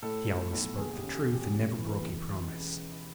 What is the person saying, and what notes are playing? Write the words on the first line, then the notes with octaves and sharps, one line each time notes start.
He always spoke the truth and never broke a promise.
A2 A4
F3
B1
D#2 G#4
G4
C#3
F#4
E1
G4
C#3 A4
E3
B4
C#2